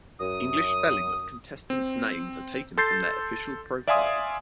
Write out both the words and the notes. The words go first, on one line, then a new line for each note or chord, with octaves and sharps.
English spelling of contestants names are taken from their official profiles.
F#2 D#6
C4
A4 C6 G6 A6 C7
D5 E5 F5 G#5 C6 D#6